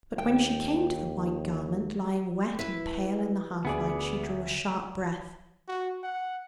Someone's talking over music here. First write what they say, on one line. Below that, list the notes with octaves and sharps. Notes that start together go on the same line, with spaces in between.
But when she came to the white garment lying wet and pale in the half-light she drew a sharp breath.
D#2 G5
E4 B4
D2 B3 G#4 D5
F#4
F#5